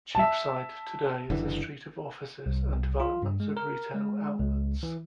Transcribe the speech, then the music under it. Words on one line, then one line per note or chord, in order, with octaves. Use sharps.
Cheapside today is a street of offices and developments of retail outlets.
E5 A5
F#1 D3 E3
C2
F4
G2
G#3
A#4
G#3
C#2
E3